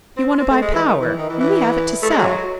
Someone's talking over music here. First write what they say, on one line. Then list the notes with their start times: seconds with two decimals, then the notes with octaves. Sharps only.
You want to buy power, and we have it to sell.
0.17 C4
0.40 C4
0.50 A3
0.62 G#3
0.73 E3
0.85 D#3
1.01 E3
1.18 D#3
1.29 E3
1.40 E3
2.02 A3
2.10 G#3
2.18 F#3